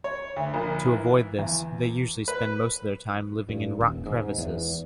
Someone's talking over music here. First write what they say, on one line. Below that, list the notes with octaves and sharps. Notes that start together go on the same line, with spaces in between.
To avoid this, they usually spend most of their time living in rock crevices.
C#5
D2
A#1
E3
E2
B4
G2
D#1
G#2
E2